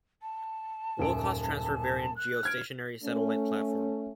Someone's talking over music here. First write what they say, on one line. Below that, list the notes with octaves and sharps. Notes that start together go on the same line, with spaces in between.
Low cost transfer variant geostationary satellite platform.
A5
D#1 F#2 D7
F#6
F6 G#6 D7
A3 C#4